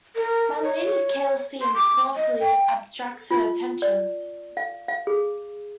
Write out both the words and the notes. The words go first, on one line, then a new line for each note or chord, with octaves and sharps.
My Lady carelessly and scornfully abstracts her attention.
A#4
C#5
C6
D6
D#5
G5
F4
D5
F5
F5
G#4